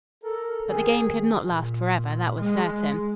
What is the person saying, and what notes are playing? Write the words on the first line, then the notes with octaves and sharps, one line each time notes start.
But the game could not last forever, that was certain.
A4 A#4
D#3 G#4
A#2
G#3